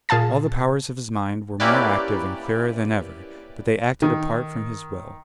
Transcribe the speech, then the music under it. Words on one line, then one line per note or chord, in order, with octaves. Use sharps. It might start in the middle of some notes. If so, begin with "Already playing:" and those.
All the powers of his mind were more active and clearer than ever, but they acted apart from his will.
A#2 G#4 F5 A5 A6
A#3 C#4 E4 G4 B4 D5
D#3